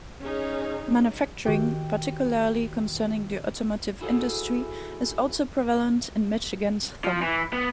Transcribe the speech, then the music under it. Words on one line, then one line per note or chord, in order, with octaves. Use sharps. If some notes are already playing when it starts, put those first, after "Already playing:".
Manufacturing - particularly concerning the Automotive Industry - is also prevalent in Michigan's Thumb.
C#4 D#4 G#4
D#3 F#4 G4 G5
E4 F#4 G#4 A4 C5 F#5
F3
E3
B3